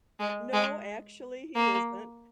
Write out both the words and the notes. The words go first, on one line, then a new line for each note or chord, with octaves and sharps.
No, actually, he isn't.
G#3
G#3
A#3